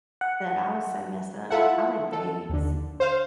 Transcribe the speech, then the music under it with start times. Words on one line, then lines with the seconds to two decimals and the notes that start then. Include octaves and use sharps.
that I was so messed up, I went days,
0.21 F#5
1.50 E4 F4 A4 E5 F#5
2.12 A4
2.50 D#2 D3
3.00 C5 F5